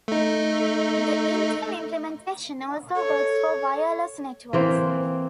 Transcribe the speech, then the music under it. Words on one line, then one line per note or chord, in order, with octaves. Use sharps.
The Intel implementation also works for wireless networks.
A3 D#4
A4 C#5
E3 A#3 C4